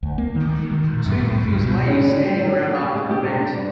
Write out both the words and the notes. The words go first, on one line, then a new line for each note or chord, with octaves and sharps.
Two confused ladies standing around after an event.
D2
A#3
D#3
G#3
D#3
A#2
F#2
A2
C#2
G2
B2
C#3
D3
G3
F#3
D5
D5
G4
G#3
G4
C3
D4
G2